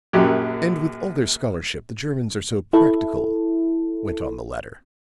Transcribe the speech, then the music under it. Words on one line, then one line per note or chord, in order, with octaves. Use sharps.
"And, with all their scholarship, the Germans are so practical," went on the latter.
A#1 F#2 F#3 G4
E4 A4